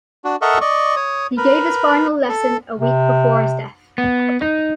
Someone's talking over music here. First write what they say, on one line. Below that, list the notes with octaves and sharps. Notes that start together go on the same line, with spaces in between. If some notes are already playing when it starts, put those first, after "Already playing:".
He gave his final lesson a week before his death.
D4 F#4
A4 A#4 D#5 E5 F#5 C#6
D5 D#5 C#6
C#5 D#6
A#4 B4
A4
C3
B3
D#4